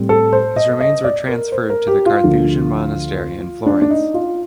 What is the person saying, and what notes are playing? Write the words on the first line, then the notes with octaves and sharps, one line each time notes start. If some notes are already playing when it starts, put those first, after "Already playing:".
His remains were transferred to the Carthusian monastery in Florence.
Already playing: A2 G3 C4
A4
C5
D#5
D#5
D5
A#4
C5
A#4
G4
F4
D2 D3 F3
D4
D4
D#4
F4